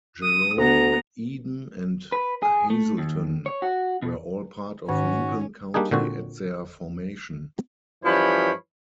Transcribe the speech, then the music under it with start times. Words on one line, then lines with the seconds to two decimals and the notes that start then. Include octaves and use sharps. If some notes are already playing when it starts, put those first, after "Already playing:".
Jerome, Eden, and Hazelton were all part of Lincoln County at their formation.
0.23 D#6
0.58 D2 B3 A#5
2.12 B4
2.42 G#4
2.70 A3
2.98 D#2
3.46 C#5
3.62 F#4
4.02 B2
4.89 G#2 D#3 C#4 F#4
5.74 G3 A#3 D4 D#4 G#4
5.91 A#2 D3 C4 F#4
8.05 F#2 E3 F3 G3 C#5 B5